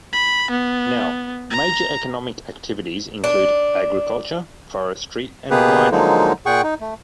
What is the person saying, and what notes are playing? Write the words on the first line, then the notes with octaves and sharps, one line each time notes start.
Now, major economic activities include agriculture, forestry, and mining.
B5
B3
A#5
D4
B2 A#3 B3 G4 G#4 B4
D3 F3 F#3 G#3 A#3 D#4
A#2 G#4 F#5 G5 C#6
D#4
A3